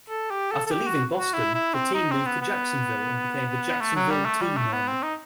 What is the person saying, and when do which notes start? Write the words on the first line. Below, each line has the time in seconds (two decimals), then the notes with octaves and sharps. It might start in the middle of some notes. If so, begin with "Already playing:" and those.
After leaving Boston, the team moved to Jacksonville and became the Jacksonville Tea Men.
0.09 A4
0.31 G4
0.52 A4
0.67 A4
0.72 G4
0.87 F#4
1.18 F#4
1.34 E4
1.54 E4
1.74 C4
1.95 D#4
2.11 C4
2.26 B3
2.42 B3
3.81 A3
3.96 F#3
4.11 G3
4.26 A3
4.42 G3
4.57 A3
4.73 B3
4.88 C4
5.03 D#4